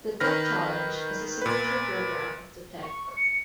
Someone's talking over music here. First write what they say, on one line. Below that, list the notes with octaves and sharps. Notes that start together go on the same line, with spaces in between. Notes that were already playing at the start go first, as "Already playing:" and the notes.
The Tech Challenge is a signature program of The Tech.
D#3 B4 F6 A#6
A#2 B4
C#6
C#7